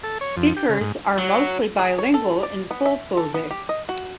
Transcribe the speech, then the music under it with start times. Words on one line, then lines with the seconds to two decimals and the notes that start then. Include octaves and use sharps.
Speakers are mostly bilingual in Fulfulde.
0.04 A4
0.21 C#5
0.37 F2
0.56 G4
0.69 C#3
0.81 G#2
1.18 F#3
1.79 G#4
1.99 C#5
2.14 A4
2.43 D5
2.71 B3
2.86 E5
3.17 A4
3.34 B3
3.51 G4
3.69 D#5
3.89 F#4